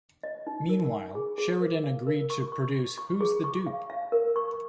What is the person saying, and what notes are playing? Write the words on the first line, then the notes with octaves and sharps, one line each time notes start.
Meanwhile, Sheridan agreed to produce Who's the Dupe?
D#5
D#4
A#4
G#5
G#4
G#4
A#4
F5
A#4
C#6
C#6
C#6
C#6
G#4
C#6
F5
F5
A#4
C#6